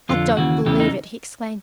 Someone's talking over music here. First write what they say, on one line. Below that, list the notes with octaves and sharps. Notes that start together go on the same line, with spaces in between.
'I don't believe it,' he exclaimed.
F2 D3 F4
D#2 C#3 E3 F#4
E2 C#3 E3 G4
D#4